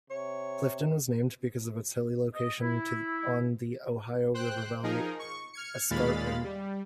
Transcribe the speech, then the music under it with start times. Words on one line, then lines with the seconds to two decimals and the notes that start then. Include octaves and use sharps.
Clifton was named because of its hilly location on the Ohio River valley escarpment.
0.11 C3 C#5
2.34 D#5
2.61 E4
4.34 C5 G5 F#6
4.83 F3 D#4 G#4 A#4
5.19 C#6
5.53 F6 G#6 C#7
5.90 D#2 A#2 G#3 F5 B5 A6
6.44 G3